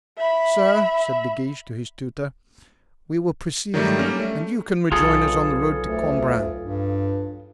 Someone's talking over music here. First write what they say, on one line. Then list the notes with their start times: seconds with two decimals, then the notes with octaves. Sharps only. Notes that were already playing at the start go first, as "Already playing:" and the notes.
"Sir," said De Guiche to his tutor, "we will precede you, and you can rejoin us on the road to Cambrin."
0.17 E5 B5
3.74 D#3 F#3 G3 A3
3.99 G3 A#3 C#4 A#4
4.20 A3
4.92 B1 F4 G#4 A4 D#6
5.80 D2
6.62 G2